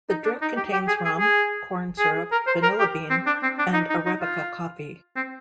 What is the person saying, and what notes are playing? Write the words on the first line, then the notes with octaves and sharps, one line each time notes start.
The drink contains rum, corn syrup, vanilla bean, and Arabica coffee.
D#4
D4
D#4
G4
G4
G#4
G#4
G#4
G#4
A#4
C5
A#4
G4
C4
D4
C4
D4
D#4
D#4
D#4
F4
C4